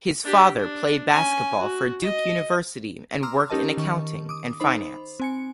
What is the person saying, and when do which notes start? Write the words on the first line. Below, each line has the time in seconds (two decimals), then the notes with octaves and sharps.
His father played basketball for Duke University and worked in accounting and finance.
0.24 D4 G4
0.59 D4
1.11 C#4 G#5
1.59 F#4
2.03 D#5
3.23 A#5 C6 D6 E6 F6
3.50 C#4 D#4 G4 A#4 D#5 A5
3.77 D#3 C#6
4.29 D6 D#6
4.60 D#4 C5 B5
5.20 C4 G#5 C#7